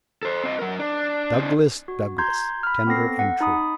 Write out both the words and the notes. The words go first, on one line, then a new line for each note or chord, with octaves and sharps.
Douglas, Douglas, Tender and true.
A4 C5
C4 D#5
F#3 A#4
D4
C4 D4
F#4
A#5 C6 G6 G#6
B5 F6
B3 C4 A4 A#6 C7
F#5
D#4 B5 D#6